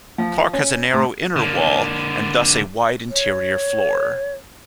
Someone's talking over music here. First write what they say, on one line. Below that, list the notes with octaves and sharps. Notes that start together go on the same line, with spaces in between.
Clark has a narrow inner wall, and thus a wide interior floor.
F3
C#4
A2
D3 A#3
C#5